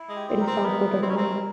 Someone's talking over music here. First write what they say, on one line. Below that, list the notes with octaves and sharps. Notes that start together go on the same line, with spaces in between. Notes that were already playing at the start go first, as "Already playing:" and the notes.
It is transported on ice.
Already playing: E4
G#3
G4
C4
A#4
C4
B3 E4
E4
C4
C#4
C4 A#4